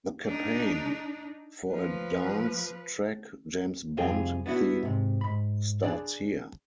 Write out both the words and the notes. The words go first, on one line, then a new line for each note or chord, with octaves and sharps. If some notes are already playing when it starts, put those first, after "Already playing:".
The campaign for a dance track James Bond theme starts here!
D4 D#4
F3 B4
C2 F2 C3 F4 G#4 G5
B3 D4 E4 F#4
G#2 C3
G#2 B5
D4 G#4 D5